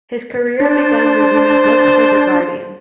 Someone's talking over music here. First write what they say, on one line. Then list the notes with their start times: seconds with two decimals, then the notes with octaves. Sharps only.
His career began reviewing books for "The Guardian".
0.60 D4 C5